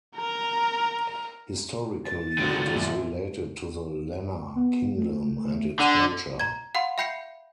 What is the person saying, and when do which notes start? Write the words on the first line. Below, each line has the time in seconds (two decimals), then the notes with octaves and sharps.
Historically it is related to the Lanna Kingdom and its culture.
0.16 A#4 A#5
2.05 A6
2.38 G#1 D3 D#3 F#3 D7
2.75 F#2 A#2
4.56 B3
4.97 A3
5.79 D3 F#5
6.40 A#5 G#6
6.75 F5 F#5 B5 C6
6.98 E5 G5 B5 G6 C7 C#7